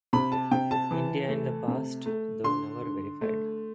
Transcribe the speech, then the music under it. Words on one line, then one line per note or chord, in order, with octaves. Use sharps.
India in the past though never verified.
C3 B5
A5
C3 G5
A5
E3
A3
C3
A3
D3 C6
D3
A3